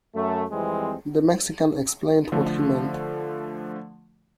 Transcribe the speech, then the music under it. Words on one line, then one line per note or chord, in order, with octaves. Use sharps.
The Mexican explained what he meant.
F#2 A3
F2 E3 G3 G#3 C4
D3 F3 A3